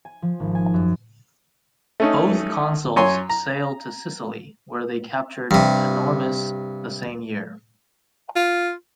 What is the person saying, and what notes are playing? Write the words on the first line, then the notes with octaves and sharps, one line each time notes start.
Both consuls sailed to Sicily, where they captured Panormus the same year.
G#5
F3
G#1
G#5
F#2
A3 C#4 D#4
F#2 C#5 G#5 C6
A#5
G2 C3
F4